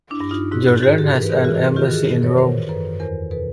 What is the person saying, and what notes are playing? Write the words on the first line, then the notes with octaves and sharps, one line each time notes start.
Jordan has an embassy in Rome.
D4 E4
G2
D#4 F4
G#2 E4 F#4
F#4 G#4
G#2 F#4 G#4
G4 A4
E3 A#4
B4
G#4 A#4
E3 F#4 G#4
D#3 F4 G4
F#4 G#4
F#2 G#4 A#4
B4 C#5
D#3 A#4 C5
F#2 A4 B4
E2 A#4 C5
B2 A4 B4